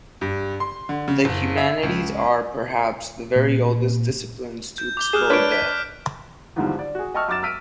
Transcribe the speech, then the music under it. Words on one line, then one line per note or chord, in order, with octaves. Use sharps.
The humanities are, perhaps, the very oldest disciplines to explore death.
G2
C6
D3
C#3
F#1
E5
C#2
A#2
G6
D6 G6 G7
G#4 F6 F#6 E7
D4 B4 C#5 F#6 D7
B6
E2 G#2 D3 D#3 F3 G3
D5
F#4 G#4
D#5 G5 A5 C#6 E6 F6
F#2 D6 A6 E7
E6 F6 B6 D7 D#7